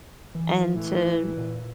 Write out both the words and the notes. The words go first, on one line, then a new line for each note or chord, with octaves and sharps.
and to
E3
A2 E3
A#2